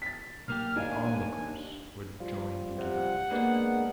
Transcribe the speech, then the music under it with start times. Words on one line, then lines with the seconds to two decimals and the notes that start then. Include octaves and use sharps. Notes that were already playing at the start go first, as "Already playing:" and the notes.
The onlookers would join into the fight.
0.02 A6 B6
0.48 B1 A#3 G4 F6
0.76 D#2 D4 D#4 F5 G#5
2.20 F3 G3 F4
2.78 C3 F#5
3.31 G#3 A#3 B3 D4 A#4